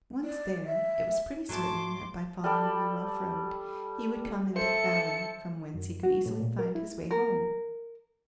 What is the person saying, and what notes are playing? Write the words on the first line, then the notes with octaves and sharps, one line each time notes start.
Once there, it was pretty certain that by following the rough road he would come into the valley, from whence he could easily find his way home.
D5
E5
G#2 F#3 A3 A5 C6 D6
G3 A4 G5
A4 C5 E5 C#7
F#2
F#4
A2
A#2
A#4
E4
A#4